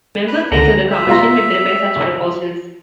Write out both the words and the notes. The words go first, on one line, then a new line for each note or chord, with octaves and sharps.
Member States or the Commission may prepare such proposals.
B4
C#2 D3 A#5
E5
B2 F4 A#5